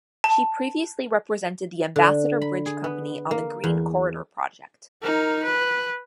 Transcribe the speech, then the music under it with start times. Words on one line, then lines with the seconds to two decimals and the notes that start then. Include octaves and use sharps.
She previously represented the Ambassador Bridge Company on the Green Corridor Project.
0.24 A5
1.96 D3
2.42 B5
2.66 G#4
2.84 B3
3.31 A#3
3.64 E2
5.02 D#4 A#4
5.44 B4